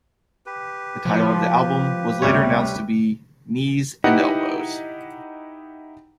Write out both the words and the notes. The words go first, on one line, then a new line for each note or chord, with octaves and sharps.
The title of the album was later announced to be "Knees and Elbows".
G4 B4
F3
D2 C3 G3 C#5
D#4 E4 G4 B4 D#5 F#5